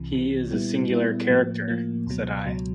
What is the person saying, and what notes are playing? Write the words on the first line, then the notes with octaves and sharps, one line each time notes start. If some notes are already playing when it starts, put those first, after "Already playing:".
"He is a singular character," said I.
Already playing: C2 C3 E3
C2 C3 E3
A#2 G3 B3 E4
A#2 G3 B3 E4
A2 F3 A#3
A2 F3 A#3
C#2 B2 F#3
C#2 B2 F#3